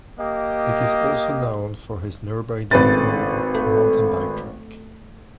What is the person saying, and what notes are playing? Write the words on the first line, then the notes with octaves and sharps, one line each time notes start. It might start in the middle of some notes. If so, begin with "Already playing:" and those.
It is also known for its nearby downhill mountain bike track.
A#3 G4 D#5
G#1 A2 C#3 B4 A6
A3